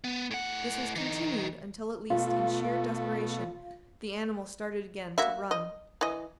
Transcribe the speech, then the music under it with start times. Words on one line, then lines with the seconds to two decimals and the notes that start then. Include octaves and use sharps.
This was continued until, at least, in sheer desperation, the animal started again to run.
0.04 B3
0.31 A2 F#5
0.96 E3 D#4
2.10 B2 A3 F4
5.18 A#3 F#4 E5
5.51 D#5
6.01 E3 D#5